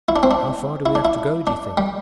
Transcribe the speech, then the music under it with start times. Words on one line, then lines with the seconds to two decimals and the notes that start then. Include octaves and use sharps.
"How far do we have to go do you think?"
0.09 E4
0.16 D4
0.23 C4
0.31 D4
0.86 E4
0.95 D4
1.05 E4
1.47 D4
1.77 G3